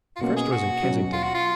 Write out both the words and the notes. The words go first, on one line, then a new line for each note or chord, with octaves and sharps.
The first was in Kensington.
F4
B2 A#3 C#4 F#4
G#4
F#4
B2 F#3 C#4
F4
F#4
F4